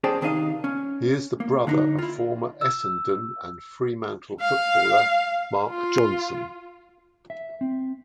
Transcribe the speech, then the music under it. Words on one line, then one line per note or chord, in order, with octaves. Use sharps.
He is the brother of former Essendon and Fremantle footballer Mark Johnson.
C#4 G#4 C5 D5 G5 A5
C3 D#3 D4 C#5 D#5 F5
C#4
A#3
D3 D4 D#4
E4 F4
E6
F5
F4
E5
C4